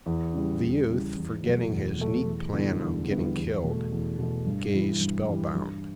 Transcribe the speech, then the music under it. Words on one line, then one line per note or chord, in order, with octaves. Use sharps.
The youth, forgetting his neat plan of getting killed, gazed spell bound.
E2
C#3 E3 G3
E2
C#3 E3 G3
E2
B2 F#3 A3
E2
B2 F#3 A3
E2
D3 G3 B3 E4
E2
D3 G3 B3 E4
E2
B2 A3
E2
B2 A3
G2
E3 G3
G2
E3 G3
G2